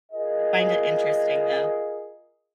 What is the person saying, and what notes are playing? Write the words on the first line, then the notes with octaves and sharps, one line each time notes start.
I find it interesting, though.
F4 G#4 A#4 D#5